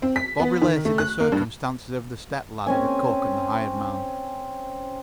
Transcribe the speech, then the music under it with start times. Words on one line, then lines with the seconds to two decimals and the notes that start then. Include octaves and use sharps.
Bob related the circumstances of the step-ladder, the cook and the hired man.
0.02 C4
0.16 B6
0.40 B3
0.61 D#3
0.85 A3
0.98 F#6
1.20 A#3
1.32 G2
2.66 C4 C#4 G#5